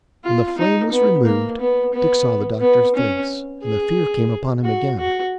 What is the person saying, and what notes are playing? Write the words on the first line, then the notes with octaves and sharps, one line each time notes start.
When the flame was removed, Dick saw the doctor's face, and the fear came upon him again.
F4
D#4
B3
A#3
B3
B3
B3
C#4
G#4
F#4
F#4